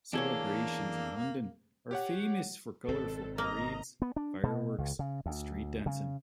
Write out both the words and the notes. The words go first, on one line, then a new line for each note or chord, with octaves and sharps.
Celebrations in London are famous for colourful parades, fireworks, and street dancing.
E2 A#3 D4 G#4 A4 C#5
G4 C#5 F#5
G#1 B2 C4 A4
A#3 D#5 A#5
B3
D4
B2
C#2
C#3
D2
C#3